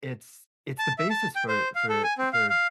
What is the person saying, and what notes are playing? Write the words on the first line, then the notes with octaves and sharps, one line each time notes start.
it's it's the basis for for for
A5
E5
A5
G5
C5
F5
A4
G#5
C4
F5
F5